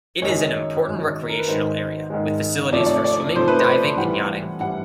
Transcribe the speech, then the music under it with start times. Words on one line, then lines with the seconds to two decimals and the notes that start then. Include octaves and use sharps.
It is an important recreational area, with facilities for swimming, diving and yachting.
0.22 F#2 D#3 G#3 C#5
0.85 F#2 D#3 G#3
1.29 A#4
1.39 B4
1.47 G#2 D#3 G#3 C5
2.10 G#2 D#3 G#3
2.72 C3 F3 A3 D5
2.80 C#5
2.86 D5
2.96 C#5
3.04 D5
3.35 C3 F3 A3 C5
3.48 B4
3.59 C5
3.97 A2 E3 G3 F#5
4.60 A2 E3 G3 F#5